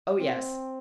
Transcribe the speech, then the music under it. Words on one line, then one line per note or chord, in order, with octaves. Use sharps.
Oh yes!
C4